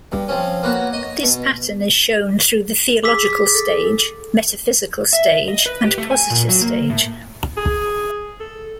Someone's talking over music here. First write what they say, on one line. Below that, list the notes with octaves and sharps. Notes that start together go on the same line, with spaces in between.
This pattern is shown through the theological stage, metaphysical stage, and positive stage.
G2
F3 C4 C#4
A#3 B3 F#4 C#5 F#5
C#5 D#5
B2
G#4 D6 E6 B6
A4
E5
D#5
B4
G4
A3
G#5
A#2
F#3
A#3
A2
G#4
A4